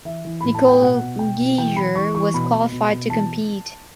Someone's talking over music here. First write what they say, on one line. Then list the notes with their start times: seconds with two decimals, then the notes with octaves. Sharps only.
Nicole Geiger has qualified to compete.
0.05 E3 E5
0.25 E3
0.41 A2 B5
0.54 A5
0.63 A2
0.68 G5
0.81 B2 F#5
1.00 B2
1.19 B2 G5
1.39 B2
1.58 E3 G5
1.76 E3 B5
1.95 E3 C#6
2.15 E3 C#6
2.34 B2 B5
2.53 B2
2.72 B2
2.91 B2
3.10 E3 A5